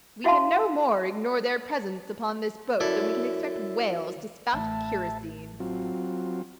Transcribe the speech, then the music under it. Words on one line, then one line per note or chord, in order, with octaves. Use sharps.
We can no more ignore their presence upon this boat than we can expect whales to spout kerosene.
E4 F#4 E5 F5 A5 C6
F#2 E4 A4 D5
A1 E5 A5
F#3 C4 F4